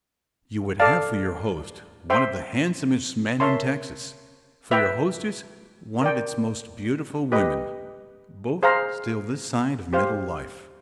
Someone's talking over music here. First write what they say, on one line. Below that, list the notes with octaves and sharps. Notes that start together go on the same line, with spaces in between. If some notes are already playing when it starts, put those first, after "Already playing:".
You would have for your host one of the handsomest men in Texas; for your hostess one of its most beautiful women--both still this side of middle life.
A4 D5 F5 A5
C5 E5 G5 C6
A#4 C#5 E5 A5 C6
B4 E5 G5
A#4 D5 G5
G4 B4 D#5
G#4 C5 F5 A#5
G4 C5 F5